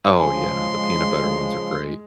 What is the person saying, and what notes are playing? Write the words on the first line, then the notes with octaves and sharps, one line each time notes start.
Oh, yeah, the peanut butter ones are great.
C#3 F3 G#3 G#5 C6